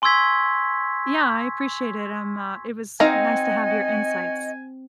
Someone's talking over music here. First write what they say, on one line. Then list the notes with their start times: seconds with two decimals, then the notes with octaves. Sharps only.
Yeah, I appreciate it. Um, uh, it was nice to have your insights.
0.02 G#5 C6 C#6 E6 G#6 B6
3.00 C4 D#4 F#4 D#5 F5 G#5 A#5